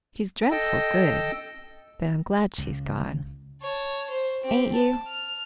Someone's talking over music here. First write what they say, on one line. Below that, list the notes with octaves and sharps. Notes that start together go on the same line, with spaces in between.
"She's dreadful good; but I'm glad she's gone: ain't you?"
A4 D#5 G5 E6
C#2
C#5 A5
C5
C4 G4
A5
F6